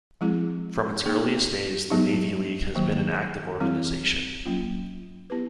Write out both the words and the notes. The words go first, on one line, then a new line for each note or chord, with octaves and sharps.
From its earliest days, the Navy League has been an active organization.
F3 G#3 C4 E4 G#4
A#3 D#4 G#4
F#3 B3 D#4 G4
D#3 F#3 A#3
E3 G3 C4 E4 G#4
F#3 A#3 C#4 F4
B3 E4 G4 B4